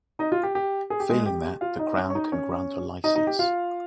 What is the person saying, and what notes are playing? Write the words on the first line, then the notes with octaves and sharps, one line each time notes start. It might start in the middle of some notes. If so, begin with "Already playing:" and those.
Failing that, the Crown can grant a licence.
D#4 D#5
F4
G4
G4
G#4
G4
G#3 G#4
G4 G5
F4 F5
D#4 D#5
C#4 C#5
C#5
D#4 D#5
C#4 C#5
D#4 D#5
D#4 D#5
G4 G5
F4 F5